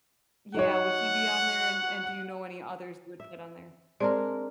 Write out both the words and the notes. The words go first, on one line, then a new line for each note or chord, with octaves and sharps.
Yeah, would he be on there, and and do you know any others you would put on there?
F#3 D#4 C#5 F#5
E5
G#3 C4 D4 A#4 C5 D5